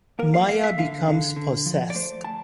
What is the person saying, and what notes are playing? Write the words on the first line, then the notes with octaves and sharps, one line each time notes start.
Maya becomes possessed.
A#3 A#4
F5
A#3 F5
E5
D3 F5
D3
D3
F3
D5
A3 C5
A5